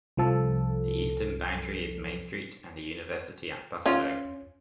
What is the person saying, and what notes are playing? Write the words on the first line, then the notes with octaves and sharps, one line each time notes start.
The Eastern Boundary is Main Street and the University at Buffalo.
C2 F3 A4
C#4 F4